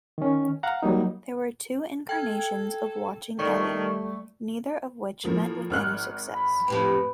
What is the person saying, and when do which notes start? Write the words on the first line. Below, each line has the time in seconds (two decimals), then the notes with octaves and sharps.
There were two incarnations of "Watching Ellie", neither of which met with any success.
0.18 D#3 C#4
0.63 F5 F#5 A#5
0.83 F#3 G3 A#3 D#4
2.09 A4 G5 G#6
3.39 D#3 G3 A3 A4 D5 C#6
5.23 A2 F3 A#3
5.70 G#1 F6 F#6
6.34 B5
6.68 F2 A2 G4 B4